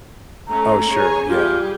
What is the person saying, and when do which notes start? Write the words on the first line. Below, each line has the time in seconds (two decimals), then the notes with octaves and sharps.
Oh, sure. Yeah.
0.47 A3 C#4 A#5
0.90 G#4 C#5 G#5
1.28 G3 F4 G4 G#4